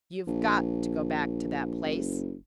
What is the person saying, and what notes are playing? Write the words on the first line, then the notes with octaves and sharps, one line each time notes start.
"You've GOT to go back to that place?"
A#1
F#1